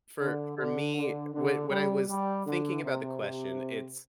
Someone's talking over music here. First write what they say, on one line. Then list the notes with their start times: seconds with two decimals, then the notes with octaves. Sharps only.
for for me, when when I was thinking about the question, it's
0.21 D3
0.58 D3
0.96 D3
1.33 D3
1.70 G3
2.09 G3
2.47 D3
2.83 C3
3.22 C3